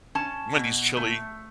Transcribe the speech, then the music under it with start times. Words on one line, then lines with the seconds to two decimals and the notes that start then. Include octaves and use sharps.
Wendy's chili,
0.15 C#4 A5
0.56 B2
0.97 A3